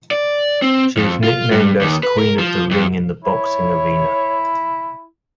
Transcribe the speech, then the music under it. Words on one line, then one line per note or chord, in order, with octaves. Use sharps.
She is nicknamed as "queen of the ring" in the boxing arena.
D5
C4
F2
F4
G2
D#2
B4
A#4
F3
F2
E4 C#5